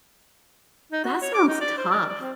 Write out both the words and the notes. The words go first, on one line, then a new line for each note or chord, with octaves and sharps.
That sounds tough.
D#4
F#4
C#5
D6
D#4
D5
C5
D5
D5
C4